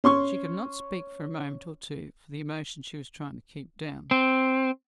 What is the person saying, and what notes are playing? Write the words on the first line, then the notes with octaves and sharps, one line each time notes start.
She could not speak for a moment or two for the emotion she was trying to keep down.
C#4 C6 C#6
C4